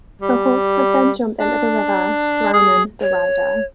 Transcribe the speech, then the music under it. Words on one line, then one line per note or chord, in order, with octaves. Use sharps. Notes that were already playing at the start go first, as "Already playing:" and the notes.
The horse would then jump into the river, drowning the rider.
G3
D4
G#4
C#5